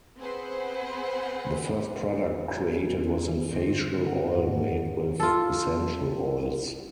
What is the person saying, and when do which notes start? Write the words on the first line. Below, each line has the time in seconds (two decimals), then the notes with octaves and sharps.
The first product created was an facial oil made with essential oils.
0.20 C4 G#4 B4 C5 F#5
2.57 E3
3.52 G2 D3 C4
4.06 F#5
4.37 G#2
5.20 F4 A4